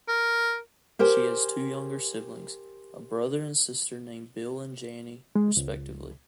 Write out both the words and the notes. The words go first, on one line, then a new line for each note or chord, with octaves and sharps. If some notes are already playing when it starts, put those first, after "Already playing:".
She has two younger siblings; a brother and sister named Bill and Janny, respectively.
A#4
G4 A#4 C5 G5 G#5
G#3
C#2